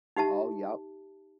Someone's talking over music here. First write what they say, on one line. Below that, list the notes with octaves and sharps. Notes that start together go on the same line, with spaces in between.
Oh, yep.
D#4 G4 E5 A5